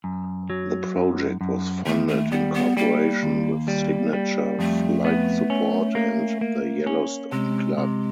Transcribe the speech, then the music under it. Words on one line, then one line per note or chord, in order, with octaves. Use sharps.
The project was funded in cooperation with Signature Flight Support and the Yellowstone Club.
F#2
F#3
F#2
F#2
D#2 A3
A3
G3 B3
B3
G3 A#3
D#2
G3
G3
F2 A3
B3
C#4
A#3
A#3
C#4
C3 G#3
C3